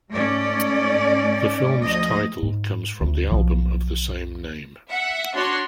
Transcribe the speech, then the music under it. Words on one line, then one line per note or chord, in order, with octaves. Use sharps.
The film's title comes from the album of the same name.
G#2 A3 C#4 D5
D2 F3 D#5
G#2
D2
B1 F3
E5 F#5
D4 F#4 C#5 C6